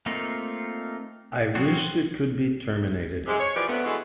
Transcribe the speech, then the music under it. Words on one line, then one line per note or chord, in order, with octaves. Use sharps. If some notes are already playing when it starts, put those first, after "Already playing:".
I wished it could be terminated.
A3 A#3 C4 D#4 F4
F3 F#3 C4 F#4
G#2 C3 G#3
C#5
E3 F3 G4 B4 D5
G2 A3 B3
E3 G#3 F#4 A4